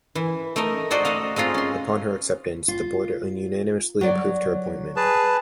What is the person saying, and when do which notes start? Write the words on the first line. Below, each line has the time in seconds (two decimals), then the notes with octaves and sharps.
Upon her acceptance, the Board unanimously approved her appointment.
0.15 E3
0.56 A3 D#4 A#4 D#5
0.90 D#4 F#4 A4 C5 D5 D#5
1.05 F#4 A4 D#5 F5
1.36 G#3 C4 D#4 F4 D#5
1.54 C#4 C6
2.68 F4
4.01 F#3 D5
4.96 G#4 B4 A5